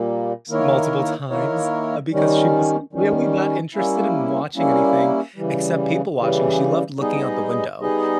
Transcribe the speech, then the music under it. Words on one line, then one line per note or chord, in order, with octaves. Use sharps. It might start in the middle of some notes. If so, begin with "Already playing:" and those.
multiple times because she wasn't really that interested in watching anything except people watching, she loved looking out the window,
Already playing: A#2 G3 A#3
D#3 A#3 E4 A#4 C#5
D#3 A#3 E4 A#4 C#5
D#3 G3 C#4
D#3 G3 C#4
G3 A#3 C#4 E4
G3 A#3 C#4 E4
C#3 E3 G3
C#3 E3 G3
G3 B3 D#4 G#4 D#5
G3 B3 D#4 G#4 D#5